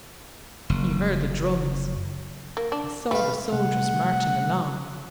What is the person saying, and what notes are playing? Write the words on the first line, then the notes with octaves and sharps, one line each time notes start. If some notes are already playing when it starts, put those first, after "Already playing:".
He heard the drums, he saw the soldiers marching along.
F#1
A#3
D4
G3 B4 F5
C3 G3 A3 F#5